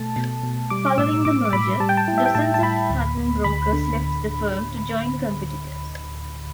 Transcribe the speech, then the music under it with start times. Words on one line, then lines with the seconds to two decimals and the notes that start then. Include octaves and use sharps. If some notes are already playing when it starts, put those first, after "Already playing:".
Following the merger, dozens of Hutton brokers left the firm to join competitors.
Already playing: B2 A3 A5
0.16 B2
0.43 B2
0.70 G3 D6
0.86 D6
0.98 A2 E6
1.25 A2 D6
1.45 D6
1.53 A2 B5
1.80 G3 A5
1.89 G5
1.97 A5
2.08 E4
2.18 E5
2.26 G5
2.35 A2 A5
2.54 A5
2.63 A2 B5
2.90 D2
3.17 D2
3.44 D2 B5
3.73 D3